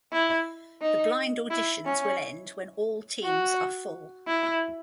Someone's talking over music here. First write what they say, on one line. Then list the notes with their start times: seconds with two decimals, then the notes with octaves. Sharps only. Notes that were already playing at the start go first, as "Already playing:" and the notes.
The Blind Auditions will end when all teams are full.
0.12 E4
0.81 D#4
1.50 E4
1.85 C#4
3.24 F#4
4.27 E4